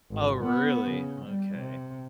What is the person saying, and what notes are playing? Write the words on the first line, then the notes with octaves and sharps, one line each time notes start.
Oh really, okay.
G#1
B3
C#3
G3
C3